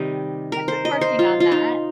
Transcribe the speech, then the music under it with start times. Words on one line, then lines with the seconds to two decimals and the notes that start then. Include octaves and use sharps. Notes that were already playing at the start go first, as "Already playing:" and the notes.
I've been working on that.
Already playing: C3 D#3 G3 D#5
0.52 A#4
0.68 C5
0.85 D#5
1.01 C5
1.19 F4
1.40 F4
1.52 D#4